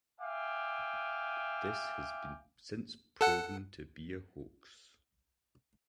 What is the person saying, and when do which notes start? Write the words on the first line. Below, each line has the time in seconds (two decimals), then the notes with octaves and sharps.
This has been since proven to be a hoax.
0.20 E5 F5 G5 G#5 D6
3.21 A4 F#5